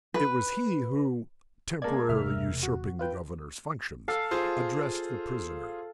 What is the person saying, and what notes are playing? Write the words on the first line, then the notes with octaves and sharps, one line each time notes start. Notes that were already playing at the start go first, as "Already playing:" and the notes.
It was he who, temporarily usurping the governor's functions, addressed the prisoner.
B4
G#3 A#3 D5 A5 G#6
E1 C3 A3 E5 F6
F#4
F4 B4 G5
A4 F5
F4 G#4 C5